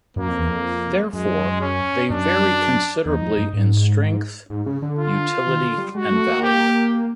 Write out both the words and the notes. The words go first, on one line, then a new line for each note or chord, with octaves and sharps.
Therefore, they vary considerably in strength, utility, and value.
F#2 A#3
F2
E2
F2
F#2 G#3
C#4
F#2 D4
E2 D#4
F2
G2
G#2
G#2
C#3
D3
F4
D#3
D3
G3
G#3 F#4
A3
A#3
G4